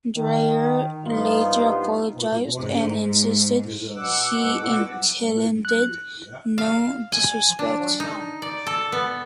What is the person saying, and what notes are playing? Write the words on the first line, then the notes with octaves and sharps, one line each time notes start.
Dreier later apologized and insisted he intended no disrespect.
D#3
G2 F3 G3 B3 D#4 F4
G#2
B2 F#5 D6 E6
F#6
F5
G#5
D4
D#4
D5
A4
B3